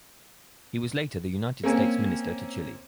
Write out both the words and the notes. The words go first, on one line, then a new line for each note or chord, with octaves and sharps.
He was later the United States Minister to Chile.
A#3 C4 C#4